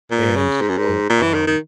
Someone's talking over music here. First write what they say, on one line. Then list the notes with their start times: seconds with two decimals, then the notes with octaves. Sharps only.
and so, um,
0.11 A#2
0.36 C#3
0.61 G#2
0.69 F#2
0.78 G#2
1.10 A#2
1.22 E3
1.34 D#3
1.47 D#3